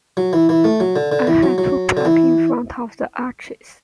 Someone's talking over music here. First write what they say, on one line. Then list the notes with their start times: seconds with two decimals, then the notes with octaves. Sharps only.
I had to park in front of the arches.
0.17 F#3
0.33 E3
0.49 E3
0.64 A3
0.80 F#3
0.96 D3
1.12 D3
1.27 E3
1.43 F#3
1.58 F#3
1.97 D3
2.05 E3